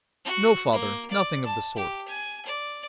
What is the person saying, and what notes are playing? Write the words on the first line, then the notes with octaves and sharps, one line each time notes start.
'No, father, nothing of the sort.
F#4
A#3
D5
A5
G4
G#5
D5